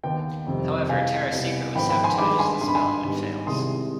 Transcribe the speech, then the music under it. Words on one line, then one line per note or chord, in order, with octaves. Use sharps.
However, Tara secretly sabotages the spell and it fails.
D#2 D#3 B3 G5
F2 C3 D#3 G3 C4
C2 B2 G#3 F5 G#5
C2 B2 G3 B3
G#1 G#2 F3 B3 G5 B5
G5 B5
G#5 C6
G1 G2 D#3 G#3 B5 D6
G#5 C6
G#1 G2 D3 C6
B5
G#5 C6
G#1 G#2 G3 B3
C2 C3 D#3 G#3 C6 D#6